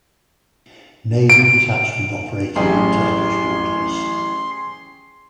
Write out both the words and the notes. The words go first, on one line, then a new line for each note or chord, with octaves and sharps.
Naval Detachment Operating in Turkish waters.
D7
A1 F#3 C#4 E4 G4 G#4 C6